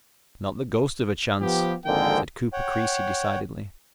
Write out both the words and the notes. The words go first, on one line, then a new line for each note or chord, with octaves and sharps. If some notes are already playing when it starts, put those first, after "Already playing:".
"Not the ghost of a chance," said Cooper Creasy decidedly.
F3 B3 G4
G#1 F2 D3 G#3 A#3 G5
C#5 F#5 G5